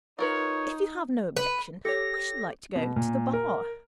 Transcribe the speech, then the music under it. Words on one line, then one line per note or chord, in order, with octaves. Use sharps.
If you have no objection, I should like to go to the Bar.'
D#4 F4 A#4 B4 C#5
B4
G4 A4 C#5 A#6
B2
A#2
A#4